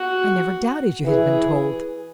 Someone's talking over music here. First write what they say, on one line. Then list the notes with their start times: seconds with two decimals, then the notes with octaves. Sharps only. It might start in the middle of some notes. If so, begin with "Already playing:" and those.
I never doubted you had been told.
Already playing: F#4
1.06 E3 G#4